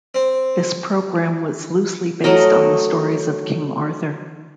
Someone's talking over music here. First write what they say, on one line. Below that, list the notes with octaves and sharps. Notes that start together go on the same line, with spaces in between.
This programme was loosely based on the stories of King Arthur.
C4
F#3 A3 A#4 D#5